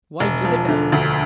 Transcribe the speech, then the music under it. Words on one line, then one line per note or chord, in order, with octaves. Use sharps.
"Why give it up?"
E1
F3
D3
D2